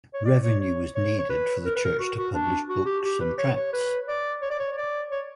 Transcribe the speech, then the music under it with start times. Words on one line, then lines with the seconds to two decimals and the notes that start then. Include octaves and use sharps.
Revenue was needed for the church to publish books and tracts.
0.14 C#5
0.26 D5
0.43 C#5
0.60 C#5
0.95 C#5
1.19 C#5
1.30 B4
1.65 A#4
1.75 B4
1.84 A#4
2.00 F#4
2.17 F#4
2.34 D4
2.69 F#4
2.86 G4
3.04 G4
3.21 B4
3.39 C#5
3.56 C#5
3.73 B4
4.08 D5
4.42 C#5
4.51 D5
4.59 C#5
4.72 C#5
4.77 D5
5.11 C#5